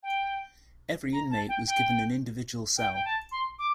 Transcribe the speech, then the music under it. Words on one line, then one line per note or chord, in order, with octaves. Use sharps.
Every inmate was given an individual cell.
G5
A#5
A5
G5
G5
G5
G5
A5
C6
D6